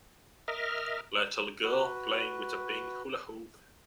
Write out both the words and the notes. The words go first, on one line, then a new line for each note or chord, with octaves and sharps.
Little girl playing with a pink hula hoop.
A#4 D#5 E5 F6
F#4 B4